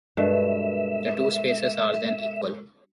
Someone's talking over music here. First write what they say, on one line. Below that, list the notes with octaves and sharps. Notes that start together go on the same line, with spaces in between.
The two spaces are then equal.
G2 B2 G#3 A4 A#4 E5